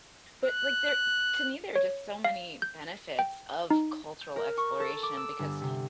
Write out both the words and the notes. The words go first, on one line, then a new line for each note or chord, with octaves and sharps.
But, like, there to me, there are just so many benefits of cultural exploration because
F#6
C#5
F5
G6
G5
D#4
G6
A#4
C#6
A4
D6
E6
G1
C3